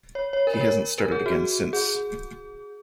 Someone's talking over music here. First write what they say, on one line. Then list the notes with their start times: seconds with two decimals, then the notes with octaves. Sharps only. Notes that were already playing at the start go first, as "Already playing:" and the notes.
He hasn't started again since.
0.15 C#5
0.33 C#5
0.47 A#4
0.54 C#5
0.61 A#4
0.98 A#4
1.12 G#4
1.26 F#4
1.73 G#4